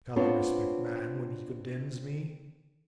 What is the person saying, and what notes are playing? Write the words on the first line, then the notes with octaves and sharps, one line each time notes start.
Shall I respect man when he condemns me?
B3 C4 D4 F4 C#5